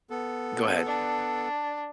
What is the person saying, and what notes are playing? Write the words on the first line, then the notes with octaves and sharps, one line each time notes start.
go ahead.
B3 A4
D4